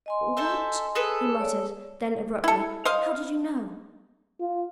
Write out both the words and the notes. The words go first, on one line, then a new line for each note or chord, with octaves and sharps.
"What?" he muttered; then, abruptly: "How did you know?"
D#5 G#5 C6
A4 C5 E5
G#4 A4 B4
C#5 D5
E4 A4
C5 D#5 F5
F4